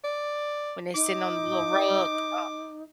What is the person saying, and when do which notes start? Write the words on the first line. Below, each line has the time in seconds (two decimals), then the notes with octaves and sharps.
when they sitting on the little rug, um
0.04 D5
0.94 D#4 D6